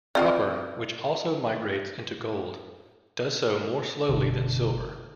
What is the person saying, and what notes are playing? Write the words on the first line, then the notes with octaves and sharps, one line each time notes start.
Copper, which also migrates into gold, does so more slowly than silver.
C4 F4 F#4 D5
F#1 B2 D3